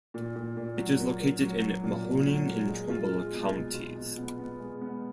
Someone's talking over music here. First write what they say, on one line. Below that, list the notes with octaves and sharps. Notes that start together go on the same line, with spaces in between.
It is located in Mahoning and Trumbull counties.
A#2
A#2
A#2
F#3
A#3
A#3
F#3
F#3
A#2
A#2
F#3
A#2
G#3
F4
G#3
B2
B2
F4
B2
B3
B3
G#3
B3